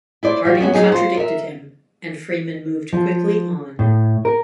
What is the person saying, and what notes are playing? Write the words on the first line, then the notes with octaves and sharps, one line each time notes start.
Harding contradicted him and Freeman moved quickly on.
E4 C5 D5
G3 F4 F#4
F#2 B3 C#4 F#4
F#3 D#4 G#4
F4 C5
A#4 E5
F3
A2
A#4